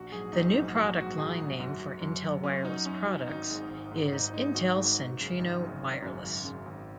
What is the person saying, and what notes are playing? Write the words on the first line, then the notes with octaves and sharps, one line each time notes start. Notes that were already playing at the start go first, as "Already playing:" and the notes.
The new product line name for Intel wireless products is Intel Centrino Wireless.
Already playing: A#1 F#4
G#2 F#3 G#4
A#1 D#4
G#2 F#3 D#4
D#4
A#1 F#4
G#2 F#3 F#4
A#1 G#4
G#2 F#3
F#2 F#4
F#3
F#2
F#3
F#2 C#4
F#3 D#4
F#2 C#4
F#3
G#1 D#4
G#2 G#3
G#1
G#2 G#3
G#1 D#4
G#2 G#3 D#4
G#1 F#4
G#2 G#3
G#1
F#2 C#3
G#1 D#4
F#2 C#3
G#1
F#2 C#3
G#1
F#2 C#3
G#1